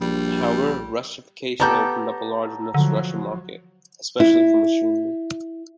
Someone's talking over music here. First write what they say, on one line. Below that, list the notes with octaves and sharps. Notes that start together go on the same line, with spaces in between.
However, Russification opened up a large Russian market especially for machinery.
A#1 G3
B3 G4 A4 A5 A#5 G6
D3 F3 F#3
E4